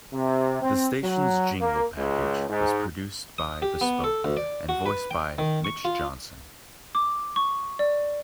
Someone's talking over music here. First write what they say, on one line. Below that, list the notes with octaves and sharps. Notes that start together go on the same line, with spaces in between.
The station's jingle package was produced by Bespoke, and voiced by Mitch Johnson.
C3
C4
F#3
A#3
C#2
G#2
D#6
G4
B3
A4
D2
D5
F#4
B4
G5
D#3
C#6
F4
D6
C#6
D5